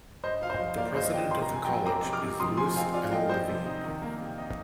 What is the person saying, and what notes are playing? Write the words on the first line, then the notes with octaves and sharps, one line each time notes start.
The President of the College is Louis L. Levine.
G2 C5 D#5
F4 F5
C5 D#5
F3
A#3 D5 F5
G2 C5 D#5
F4 D#5 G5
C3 C6
A#5
C3 G#5
G5 A#5
F3
C4 A#5 D6
C3
D6 F6
C3
F3 C6 D#6
F3 G#5 C6
C4 F5 G#5
F4 D5 F5
F3 D#5 G5
F3 C5 D#5
C3
D#4
D#3
A#3
C3
D#4